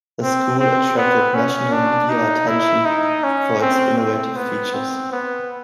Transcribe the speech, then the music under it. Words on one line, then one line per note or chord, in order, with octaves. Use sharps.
The school attracted national media attention for its innovative features.
C4
C4
B3
C#4
D4
D#4
E4
D#4
C#4
C4
C4
B3
C4
B3